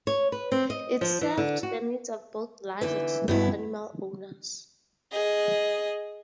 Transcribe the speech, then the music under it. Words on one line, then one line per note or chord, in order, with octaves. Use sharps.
It served the needs of both large and small animal owners.
C#5
B4
C4
D#5
F3
E3
D3
F#4
D3 E3 D#4 E5
G2 B2 B3 E4
G#4 D#5